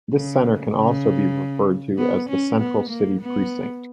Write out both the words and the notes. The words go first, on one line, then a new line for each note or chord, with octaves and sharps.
This centre can also be referred to as the Central City precinct.
C#3
C#3
B3
C#4
B3
A#3
B3